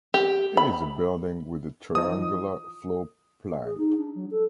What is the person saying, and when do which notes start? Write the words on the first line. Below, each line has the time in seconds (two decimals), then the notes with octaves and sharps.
It is a building with a triangular floor plan.
0.14 G4
0.57 B5
1.95 E3 F3 D#4 D#6
3.65 G#4
3.78 D#4
3.98 D4
4.15 F#3
4.31 A4